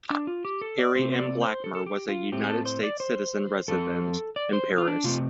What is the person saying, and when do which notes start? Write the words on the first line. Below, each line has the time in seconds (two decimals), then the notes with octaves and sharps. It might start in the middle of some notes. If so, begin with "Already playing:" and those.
Harry M. Blackmer was a United States citizen resident in Paris.
0.10 D4
0.27 F4
0.45 G4
0.61 A4
0.79 D5
0.95 C3 A3 C4 C5
1.12 C5
1.18 D5
1.41 C5
1.64 A4
1.75 A4
1.86 G4
2.09 F4
2.32 A2 A3 C4 G4
2.49 A4
2.66 C5
2.83 D5
3.00 C5
3.68 F2 F3 C4 A4
4.36 D5
4.53 C5
4.78 F4
4.88 D4
5.04 C3 A3 C4 F4